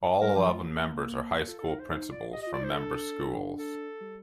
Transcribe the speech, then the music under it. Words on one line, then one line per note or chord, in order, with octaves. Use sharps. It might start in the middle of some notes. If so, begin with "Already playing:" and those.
All eleven members are high school principals from member schools.
G3 A#4
F3 G4
A3 F4
A#3
A#3
F4 A4
A4
D#4
A#4
C5
D#4 C5
F4 D5
G4 D#5
D#5
F4
D5
D#4 C5
D4 A4
A4
G3